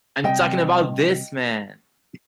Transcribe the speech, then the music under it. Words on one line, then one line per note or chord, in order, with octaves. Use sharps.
I'm talking about this man.
C3 G3 C4 D#5 G5